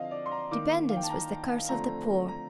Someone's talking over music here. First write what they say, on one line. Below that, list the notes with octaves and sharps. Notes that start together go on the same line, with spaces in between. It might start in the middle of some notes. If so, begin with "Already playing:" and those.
Dependence was the curse of the poor.
Already playing: D3 F3 C4 D#5 F5
D5
C6
A#5
D#3 A#3 D6
F5
G5
A5
A#5
D3 F3 A3 C4 A#5
A#5